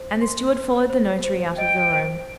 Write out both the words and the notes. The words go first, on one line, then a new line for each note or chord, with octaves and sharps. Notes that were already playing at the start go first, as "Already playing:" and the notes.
And the steward followed the notary out of the room.
Already playing: C5
C6
C5
C5
C5
D#5 G5
C5